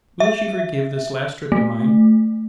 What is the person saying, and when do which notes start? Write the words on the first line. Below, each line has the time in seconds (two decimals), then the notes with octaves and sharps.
Will she forgive this last trick of mine?
0.20 E5
1.52 A3